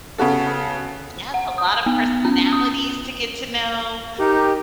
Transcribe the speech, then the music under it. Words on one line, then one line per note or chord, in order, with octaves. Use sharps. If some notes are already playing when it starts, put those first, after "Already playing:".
Yes, a lot of personalities to get to know.
C#3 B3 F#4 A4
F#5
D#6
B3
C#4
D#6
D#4 G4 A#4